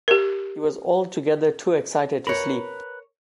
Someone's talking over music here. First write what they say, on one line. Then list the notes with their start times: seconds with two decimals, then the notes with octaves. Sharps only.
He was altogether too excited to sleep.
0.08 G4 A#4
2.27 A#4 B4 C#5 A#5 B5